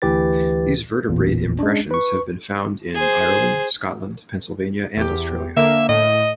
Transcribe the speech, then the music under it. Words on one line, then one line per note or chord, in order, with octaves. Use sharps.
These vertebrate impressions have been found in Ireland, Scotland, Pennsylvania, and Australia.
D2 E3 G4 B4 A6
A1 E2 A#2
G#3 C#4 D4
B4 C#6
G#4 C5
E2 G4
D3 A#3 E5
A2 D#5